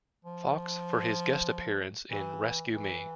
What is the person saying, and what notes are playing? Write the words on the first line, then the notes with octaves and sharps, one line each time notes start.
Fox for his guest appearance in "Rescue Me".
F3
E3
E3